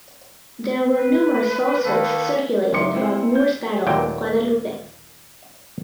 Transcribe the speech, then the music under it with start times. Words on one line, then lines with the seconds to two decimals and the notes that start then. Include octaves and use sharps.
There were numerous falsehoods circulated about Moore’s battle with Guadalupe.
0.95 B4
1.85 D#3 A#3 A4
2.72 F#1 F#3 D#4 C6 D6 C#7
2.95 C4 E4 C5
3.35 G6
3.87 D#2 A#2 F#3 A4 G5